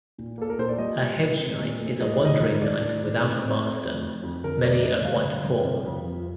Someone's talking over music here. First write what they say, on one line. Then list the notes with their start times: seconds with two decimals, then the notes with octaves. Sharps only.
A Hedge Knight is a wandering knight without a master, many are quite poor.
0.18 A#2
0.38 A#3 A4
0.50 A#4
0.59 A#2 C5
0.69 D5
0.78 G3 D#5
1.00 G3
1.19 G3
1.40 C4
1.60 A#2
1.79 A3
2.01 G3 D#5
2.14 D5
2.21 D#3 D#5
2.40 D#3
2.61 A2 D5
2.81 D4
3.02 A2
3.22 C4
3.42 C4
3.63 A3
3.83 F2
4.02 F2
4.23 F2
4.44 D3 A#4
4.63 A3 D5
4.83 D3 D#5
5.04 G2 F5
5.25 D3
5.45 G2
5.65 C3
5.86 F2
6.05 F3